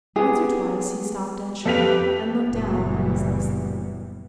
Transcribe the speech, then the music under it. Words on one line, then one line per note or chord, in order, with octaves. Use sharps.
Once or twice he stopped dead short and looked down at his left slipper.
B3 G4 G#4
F2 G4 A4 B4 F5 B6 F7
F#1 A#2 E3 G3 B3